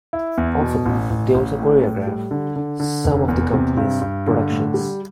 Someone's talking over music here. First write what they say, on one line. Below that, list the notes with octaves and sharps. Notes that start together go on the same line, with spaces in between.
Often they also choreographs some of the company's productions.
E4
E2
B2
A1
A1
A1
A2
A2
G3
D3
D3
D3
F1
E2
C3
G2
G2
D3
A2
G3